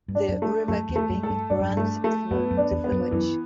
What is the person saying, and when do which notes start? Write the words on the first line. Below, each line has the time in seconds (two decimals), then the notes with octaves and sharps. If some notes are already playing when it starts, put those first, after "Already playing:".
The River Gipping runs through the village.
0.08 G2
0.15 D4
0.29 F#2
0.42 A3
0.68 F#2 A3
0.89 E2
0.96 A3
1.10 F#2
1.23 A4
1.30 G2
1.50 G2 D4
1.60 F#2
1.70 G2
1.77 A3
2.04 A3
2.31 F#2 B3
2.51 F#2
2.57 D4
2.71 E2
2.84 B3
2.92 F#2
3.11 F#2 E3